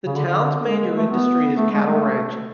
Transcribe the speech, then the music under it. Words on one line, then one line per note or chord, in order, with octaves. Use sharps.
The town's major industry is cattle ranching.
C#3
D3
D3
G#3
A3
B3
A3
G#3
A3